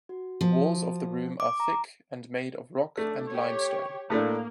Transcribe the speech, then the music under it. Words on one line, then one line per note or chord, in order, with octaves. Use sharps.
The walls of the room are thick and are made of rock and limestone.
F#4
F3
D6
A#5
A3 D4
G4 C#5
A2 A3 A#3 D4